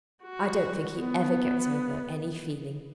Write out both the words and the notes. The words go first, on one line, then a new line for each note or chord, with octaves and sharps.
I don't think he ever gets over any feeling.
F#4
B3